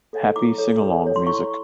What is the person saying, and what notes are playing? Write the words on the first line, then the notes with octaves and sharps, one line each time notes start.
Happy singalong music.
A4 C#5
E4 D6
A4 C#5
E4
A4 C#5
C6
E4 C#6